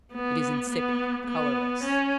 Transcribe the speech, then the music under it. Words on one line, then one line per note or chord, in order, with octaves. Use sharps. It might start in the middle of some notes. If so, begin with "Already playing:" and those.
It is insipid, colorless.
B3
B3
B3
C#4